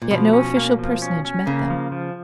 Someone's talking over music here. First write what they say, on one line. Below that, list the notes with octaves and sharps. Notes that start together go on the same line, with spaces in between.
Yet no official personage met them.
A#2
B2 F3
C#4
A#3
F3
C#4
C#4
C#3 A#3
F3
F3